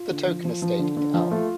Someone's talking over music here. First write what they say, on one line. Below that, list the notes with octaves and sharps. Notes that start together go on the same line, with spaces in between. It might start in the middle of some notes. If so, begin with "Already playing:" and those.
The Tolkien Estate "et al".
Already playing: F4
D3
F3
F3
F3
D3
D3
F3
A3 F4